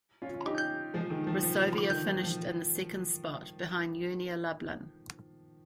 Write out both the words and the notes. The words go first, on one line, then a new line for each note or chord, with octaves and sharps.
Resovia finished in the second spot, behind Unia Lublin.
C#4 F4
D#4 G4
F3 G#3
D#3
F3
F3
F3
D#3
F3
F3